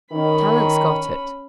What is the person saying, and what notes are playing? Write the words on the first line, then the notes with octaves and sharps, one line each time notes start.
"Talent's got it."
D#3 C#4 B5